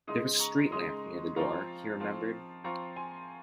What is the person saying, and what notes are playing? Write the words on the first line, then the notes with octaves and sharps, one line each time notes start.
There was a street lamp near to the door, he remembered.
C#3 G#3 D#4 C6 D#6
A#5 C#6
C#3 G#3 D#4 C6 D#6
F3 C4 F4 A#5 C#6
F3 C4 F4
F3 C4 F4 A#5 C#6
G#5 C6